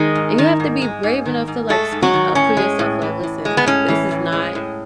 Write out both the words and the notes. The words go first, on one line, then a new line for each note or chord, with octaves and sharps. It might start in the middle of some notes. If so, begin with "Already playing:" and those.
and you have to be brave enough to, like, speak up for yourself, like, "Listen, this is not
Already playing: D#3 G#3 D#4
G#2
D#3
G#2
G#3
G#2
D#3
G#2
G#3 A3 A4
G#2
F#3 F#4
D#3
A2 C#4
G#3
A2
E3
A2
G#3
B3
A2 C#4
E3
A2
G#3
A2